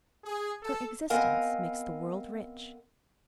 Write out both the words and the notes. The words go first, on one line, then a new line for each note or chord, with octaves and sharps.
Her existence makes the world rich.
G#4
A4
B3 C4 A#4 D#5 F5 G#5